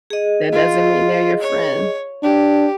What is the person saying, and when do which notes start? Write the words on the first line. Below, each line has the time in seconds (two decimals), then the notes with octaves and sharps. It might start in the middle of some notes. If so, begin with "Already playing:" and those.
that doesn't mean they're your friend.
0.10 G#4 D#5
0.52 F4
1.42 C#5
2.23 D4 G4